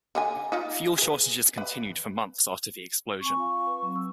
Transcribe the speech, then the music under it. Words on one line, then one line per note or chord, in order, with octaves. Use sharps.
Fuel shortages continued for months after the explosion.
D3 D#4 G#5
D#4 F4 D#5
G#4 B4
B4 B5
C4 G#5 C#6
F4 F5
B4
F#3 C4
E6